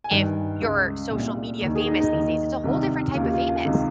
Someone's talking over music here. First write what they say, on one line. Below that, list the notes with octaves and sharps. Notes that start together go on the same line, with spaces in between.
if you're social media famous these days. It's a whole different type of famous.
G#5
G2 D#3 G5
C#2 C#3
C2 A#2
D#2 D#3
G#4
D#4
D#4
D#2 D#3 D#4
C2 C3 D#3
D#2 C#3 F4
G4
F4
C#2 C3 D#3